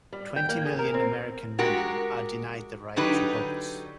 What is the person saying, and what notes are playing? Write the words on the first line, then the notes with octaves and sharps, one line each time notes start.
Twenty million American Women are denied the right to vote.
G3
G5
A#3
G#4
A#4
C4
G#3 F#4 G4 A#4
D3 F#3 D#4 G4 B4